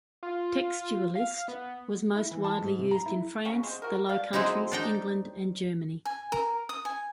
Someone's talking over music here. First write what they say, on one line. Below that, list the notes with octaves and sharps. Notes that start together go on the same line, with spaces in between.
"Textualis" was most widely used in France, the Low Countries, England, and Germany.
F4
F5
B3
E4
E3
A5
G#2
C3
A#5
E4
C#3 F#3 C#4
G#3 C4
F#4 A#4
B2 D5 F5
F#3 G#3 C4 D#4 E4
D4 D#4 G5
G#5
A#4
D#6
G#5